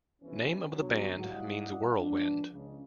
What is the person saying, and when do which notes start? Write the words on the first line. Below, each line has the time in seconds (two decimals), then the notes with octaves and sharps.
Name of the band means "whirlwind".
0.22 G1 F2 E3 C#4
0.73 B2 D3 F#3
1.20 G3 E4 D5 D#5 F5 F#5
1.97 F3 G#3 B3 D4
2.51 C#2 C#3